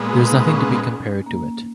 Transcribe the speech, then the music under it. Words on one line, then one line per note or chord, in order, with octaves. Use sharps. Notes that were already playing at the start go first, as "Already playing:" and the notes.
There is nothing to be compared to it.
Already playing: A#2 G#3 B3
F#4
D#4
C#4
A#3